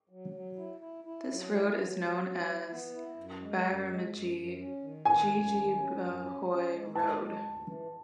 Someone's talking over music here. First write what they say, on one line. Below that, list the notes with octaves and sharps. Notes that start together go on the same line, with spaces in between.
This road is known as Byramjee Jeejeebhoy Road.
F#3
F#3
E4
E4
E4
F#3
E4
F#3
F#3
F#3
E4
B3
E4
F#2
G#3
F#2
G#3
F#2
F#2
C#4
D#3
D#3 G#5
F#2
D#3
C#4
F#2
C#4
C#4
G#3
G#3 A5
G#3
D2
E3